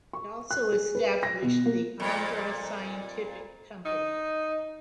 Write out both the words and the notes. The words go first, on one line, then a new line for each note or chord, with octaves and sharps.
He also established the Andhra Scientific Company.
C#6
F#6
G#4
B4
A#6
B2
A#3
F2 A#2
D#4